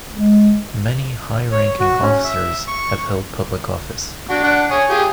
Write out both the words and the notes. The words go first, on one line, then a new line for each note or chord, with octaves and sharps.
Many high-ranking officers have held public office.
G#3
C#5
F#4
C#4
E5
C#6
D4 F#4
D4 F#5
C#5 G#5 D#6
F4 G4 G#4